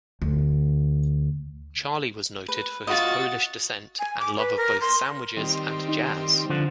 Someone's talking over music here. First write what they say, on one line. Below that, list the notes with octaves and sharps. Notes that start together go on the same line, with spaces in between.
Charlie was noted for his Polish descent and love of both sandwiches and jazz.
D2
B4
F4 F#4 D#5 A6
G#5
D6
B4
A#4
C6
D#3 G3 C4
D#4
D3 F3